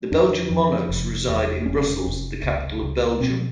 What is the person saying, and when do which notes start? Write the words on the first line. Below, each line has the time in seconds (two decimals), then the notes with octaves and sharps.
The Belgian Monarchs reside in Brussels, the capital of Belgium.
0.12 F2 D4
0.50 F2
0.89 F1
1.28 E2
1.66 F1 C#4
2.05 F1
2.43 C#2
2.82 C#2
3.20 B2 C4